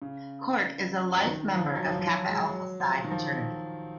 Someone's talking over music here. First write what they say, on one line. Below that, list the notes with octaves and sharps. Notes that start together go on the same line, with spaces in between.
Corke is a Life Member of Kappa Alpha Psi fraternity.
C#3
F#3
F3
D#3
F3
F#3
F3
F3
F#3
G#3
F#3
F3
D#3
F3